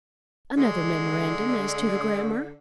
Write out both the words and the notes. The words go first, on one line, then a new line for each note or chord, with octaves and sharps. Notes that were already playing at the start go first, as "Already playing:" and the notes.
Another memorandum as to the grammar.
D3 G#3